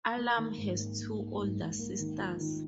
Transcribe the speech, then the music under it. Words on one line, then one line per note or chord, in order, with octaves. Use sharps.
Allam has two older sisters.
A#3
D#3
G#2
A#3
A#3
A#3
G#2
G#2
A#3
D#3
F4
D#3